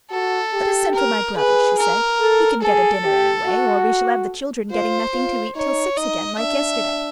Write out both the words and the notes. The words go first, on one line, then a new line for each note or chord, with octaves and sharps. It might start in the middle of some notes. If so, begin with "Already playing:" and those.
"Let us send for my brother," she said; "he can get a dinner anyway, or we shall have the children getting nothing to eat till six again, like yesterday."
F#4 A4
G4
A#4
G#4 B4
A#4
A4
G#4 A4
G4
F#4
F4 C5
F4
D#4 C#5
D#4 D#5
D4 E5